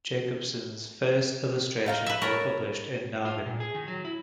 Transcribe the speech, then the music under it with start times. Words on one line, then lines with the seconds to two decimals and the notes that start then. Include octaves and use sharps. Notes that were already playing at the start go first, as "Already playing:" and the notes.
Jacobsson's first illustrations were published in Naggen.
1.86 D#4 F5 A#5
2.06 B4 E5
2.22 A#4 C#5 A5 B5
3.25 F4
3.46 A#2
3.60 G#4
3.75 D#3
3.88 F#3
4.05 E4